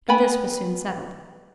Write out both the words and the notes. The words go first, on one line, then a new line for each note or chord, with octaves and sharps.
And this was soon settled.
B3 G5 G#5 B5